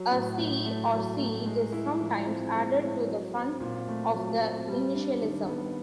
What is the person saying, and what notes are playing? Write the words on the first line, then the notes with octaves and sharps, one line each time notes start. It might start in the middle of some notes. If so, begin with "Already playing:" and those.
A "c" or "C" is sometimes added to the front of the initialism.
Already playing: F#3
A2
A2
A3
F#3
A2
G#3
E4
F3
C4
G#3
E4
F#3
C4
A#2
A3
F#3
C4
G3
D4
D#3
B3